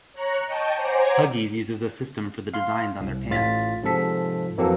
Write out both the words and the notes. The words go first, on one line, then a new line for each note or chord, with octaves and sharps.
Huggies uses a system for the designs on their pants.
C#5 A#5 F#6 C#7
D#5 G5 A5 C#6
C5 C#5 F#5 G#5 A#5 D6
F5 C6
C2
A1 A2 F4 A6 B6
G#2 C3 F3 A4 B6
F2 E3 F#3 A#3 C4 A4